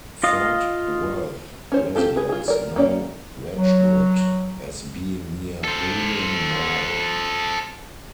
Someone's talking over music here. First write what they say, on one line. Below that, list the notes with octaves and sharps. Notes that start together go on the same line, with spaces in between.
Fort Worth residents know Wedgwood as "being near Hulen Mall".
F4 D#5 F5
C#4 C5 C#5
C4 F4 G4 A4
G#4 B4
F4 G#4
A#4 D5
A#3 C#4 D5
F#3
A4 C5